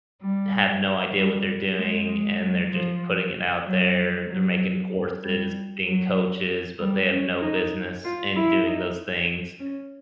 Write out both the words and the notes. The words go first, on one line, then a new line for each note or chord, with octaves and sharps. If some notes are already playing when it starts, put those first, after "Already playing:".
have no idea what they're doing, and they're just putting it out there. They're making courses, being coaches, but they have no business in doing those things,
G3
G3
G#3
G#3
F#3
F3
F#3
F#3
G3
F#3
G3
C#4
D#4
F4
E4
D#4
C#4